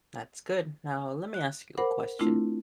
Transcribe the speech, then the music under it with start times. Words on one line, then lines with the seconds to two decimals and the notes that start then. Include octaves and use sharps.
That's good, now let me ask you a question.
1.34 F#6
1.78 A#4 C5 F#5 B5 D6
2.19 A3 C4 D4 E4 F4